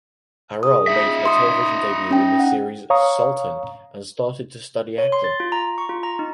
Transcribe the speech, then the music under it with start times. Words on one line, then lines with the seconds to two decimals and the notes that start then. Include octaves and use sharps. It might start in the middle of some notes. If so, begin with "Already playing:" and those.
Aral made her television debut in the series "Sultan" and started to study acting.
0.63 G#4 D#6
0.87 D#4 E5
1.25 C6 D#6
2.11 C#4 G5
2.39 F#5
2.90 C#5 F5 A#5 C#6 D#6
4.98 C#5
5.12 C6
5.24 A6
5.40 F4
5.52 A#5
5.78 C#6
5.89 F4
6.03 A#5
6.19 D#4